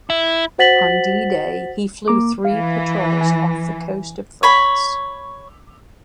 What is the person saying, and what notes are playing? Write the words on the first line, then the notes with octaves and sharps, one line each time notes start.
On D-Day he flew three patrols off the coast of France.
E4
F#4 C5 F#5 A6 B6 F#7
A#3 A#5 D6
E3 F5
G#5
C#5 B5